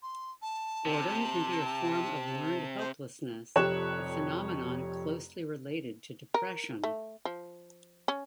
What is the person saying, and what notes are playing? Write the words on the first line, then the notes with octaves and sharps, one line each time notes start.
Boredom can be a form of learned helplessness, a phenomenon closely related to depression.
C6
A5
C3
C5
F1 F2 G4 C#5 F#6 E7
A#4
A3
F3
C#4